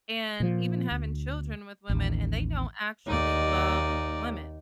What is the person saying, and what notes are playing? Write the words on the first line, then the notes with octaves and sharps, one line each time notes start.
and even having children with women, and they don't actually love women.
A#2 F3
D2
A1 D#2
D#2 D#4 D5